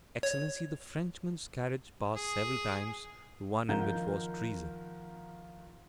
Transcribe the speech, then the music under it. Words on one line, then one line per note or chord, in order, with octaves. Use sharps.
"Excellency, the Frenchman's carriage passed several times the one in which was Teresa."
C#5
G#4
D#3 F3 F5 F#5 A#5 G6